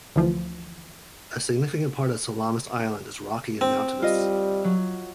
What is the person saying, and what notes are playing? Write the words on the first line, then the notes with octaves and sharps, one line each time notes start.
A significant part of Salamis Island is rocky and mountainous.
D2 E3 F3
C4
G3 F4 D#5
F#3